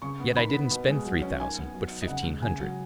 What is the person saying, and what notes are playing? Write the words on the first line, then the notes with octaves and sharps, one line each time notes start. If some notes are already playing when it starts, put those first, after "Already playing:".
Yet I didn't spend three thousand, but fifteen hundred.
C#3 C#6
B3
D#3 B5
B3
B2
G#3
F#3
C#4
D#3 G#5
B3
F#3
D#4
D#5
C#3 F#5
G#3
C#3 G#5
F#3